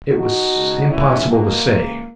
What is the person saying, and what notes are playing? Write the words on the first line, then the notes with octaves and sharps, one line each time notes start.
It was impossible to say.
B1 B2 D#4 F#4
C#2 B2
G#1 G#2 E3 C#4 E4
B1 B2 A#3
C#2 C#3 E3